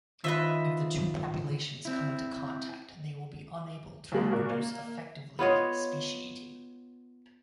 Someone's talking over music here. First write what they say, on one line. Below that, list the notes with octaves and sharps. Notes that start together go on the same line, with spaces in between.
If the two populations come into contact they will be unable to reproduce-effectively speciating.
D#3 F4 B4 C5 D#5 E5
C4 E4
B1 B2 G#3 A#3
A#2 F#4 A#4
A#3
B3 F4 C#5 D#5